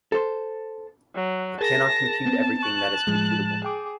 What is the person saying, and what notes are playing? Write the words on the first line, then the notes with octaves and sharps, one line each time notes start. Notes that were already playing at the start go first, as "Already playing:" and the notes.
It cannot compute everything that is computable.
A4 C5
F#3
G#4 A#4 A5 A#6
B3 C4
C#6 F#6
A2 F3 G#3
G#4 G5 D6